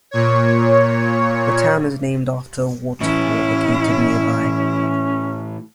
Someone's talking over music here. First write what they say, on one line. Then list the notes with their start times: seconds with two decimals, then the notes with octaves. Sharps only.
The town is named after a waterfall located nearby.
0.11 A#2 C#5
3.01 A2 E3 C#4 E4